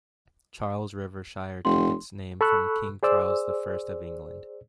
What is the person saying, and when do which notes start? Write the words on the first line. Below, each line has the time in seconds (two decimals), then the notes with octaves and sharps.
Charles River Shire took its name from King Charles the First of England.
1.65 F1 C6
2.41 A4 B5 C#6 E6 F#6
3.03 G#4 C5 D5 E6